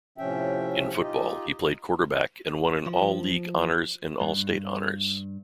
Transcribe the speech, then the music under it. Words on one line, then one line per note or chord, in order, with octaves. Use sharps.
In football, he played quarterback, and won an All-League honors and All-State honors.
A2 C3 F3 C#4 E5 G5
D#4 F4 G4 D#5
F3
G2